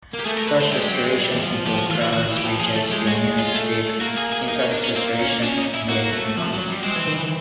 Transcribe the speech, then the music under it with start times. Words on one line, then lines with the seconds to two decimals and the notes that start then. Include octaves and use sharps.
Such Restorations include; crowns, bridges, veneers, fixed implant restorations, inlays and onlays.
0.13 A#3
0.20 G4
0.25 A3 G#4
0.38 A#4
0.48 B4
0.61 C5
0.72 G#3 G4
0.88 F#3
1.04 G#3
1.19 G3
1.31 E3
1.43 F3
1.66 F3 G4
1.78 F#4
1.90 E3 F4
2.01 F#4
2.13 D#3 F#4
2.29 E3
2.37 G4
2.45 F3
2.60 F3 G#4
2.76 A3 A4
2.92 G#3 G4
3.07 G#3 F#4
3.39 F4
3.54 A3
4.01 A#3 F#4
4.18 G#4
4.33 G#4
4.49 D#4
4.60 C#4
4.72 D4
4.84 C#4
4.95 A#3 C4
5.20 C#4
5.42 C#4 D4
5.58 D#4
5.74 E4
5.89 A#3 F#4
6.13 A3
6.37 F3
6.53 F#3
6.68 G3
6.83 G#3 C4
6.96 E3
7.07 D#3
7.19 E3